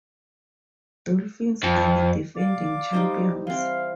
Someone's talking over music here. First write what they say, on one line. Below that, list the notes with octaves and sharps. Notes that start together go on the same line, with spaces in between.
Dolphins are the defending champions.
F2
D5 F5 D6
G3 D#4 C5
E3 C4 F5